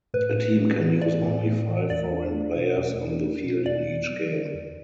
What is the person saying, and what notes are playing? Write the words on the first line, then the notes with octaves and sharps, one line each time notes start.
A team can use only five foreign players on the field in each game.
A2 B4
A2
A3
E3
A2 D5
A2
A3
E3
E2 D5
D4
A3
B2
E2
D4
A3
B2
E2 D5
B3
F#3
D3
E2